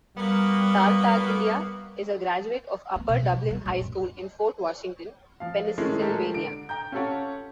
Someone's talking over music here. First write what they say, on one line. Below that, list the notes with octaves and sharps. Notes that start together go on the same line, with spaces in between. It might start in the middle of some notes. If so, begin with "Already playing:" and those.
Tartaglia is a graduate of Upper Dublin High School in Fort Washington, Pennsylvania.
G3 A#3 B3 F#4
B3
B2
A#1
F#3
A#1
F#2
F3 F5
D#3 G#3 A3 C#4 E4
G#3 A3 G4 A4 A#4
D3 D7
G5 A#5 G6
C#4 F4 G4 A4 C#5 F#5